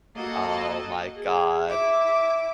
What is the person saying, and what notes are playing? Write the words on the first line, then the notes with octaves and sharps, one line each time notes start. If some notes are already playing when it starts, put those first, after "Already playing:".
Oh, my god.
A#3 F#4 A4 D#5 A5
G#4
E4 E5 D6